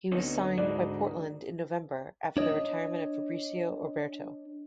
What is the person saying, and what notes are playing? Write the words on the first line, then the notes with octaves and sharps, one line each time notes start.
He was signed by Portland in November after the retirement of Fabricio Oberto.
D2 B3 C4 D#4 C#5
G#2 D4 D#4 F#4 D5
D4 C#5 D#5